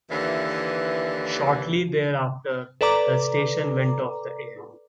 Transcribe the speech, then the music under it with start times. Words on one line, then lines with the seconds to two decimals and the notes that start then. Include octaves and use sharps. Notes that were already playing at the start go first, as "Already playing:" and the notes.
Shortly thereafter, the station went off the air.
0.10 D#2 D3 E3
2.81 A4 B4 D5 A#5 D6